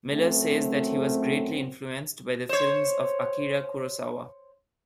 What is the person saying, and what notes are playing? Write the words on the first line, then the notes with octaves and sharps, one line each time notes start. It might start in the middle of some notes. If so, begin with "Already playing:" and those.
Miller says that he was greatly influenced by the films of Akira Kurosawa.
F#2 A2 A3 C4
C5 C#5